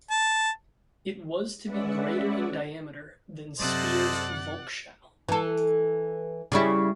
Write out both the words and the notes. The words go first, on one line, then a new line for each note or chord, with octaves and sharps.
It was to be greater in diameter than Speer's Volkshalle.
A5
G#3 C#4 B4 D5 E5 F#5
F#2 C3 A4 C5 D5 D#5 F#5
E3 A4
C#3 G3 E4